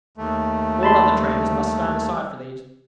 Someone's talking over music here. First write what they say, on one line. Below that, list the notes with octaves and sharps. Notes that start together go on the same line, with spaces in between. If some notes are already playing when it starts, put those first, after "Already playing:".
All other traders must stand aside for these.
D#2 A3
A5 B5 C6
G3